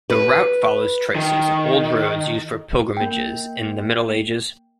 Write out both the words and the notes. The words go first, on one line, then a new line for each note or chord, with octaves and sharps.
The route follows traces of old roads used for pilgrimages in the Middle Ages.
B4
D#3
A#3 G5